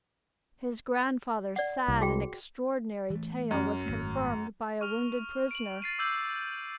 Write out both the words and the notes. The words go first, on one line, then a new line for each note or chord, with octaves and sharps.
His grandfather's sad and extraordinary tale was confirmed by a wounded prisoner.
D5 F#5
C2
F#4 G#4 G5
E3 A3
F#2
G#1 A3
C#6 F6 F7
D7 F#7
A6 C7 D#7
D6 E6 G6 F#7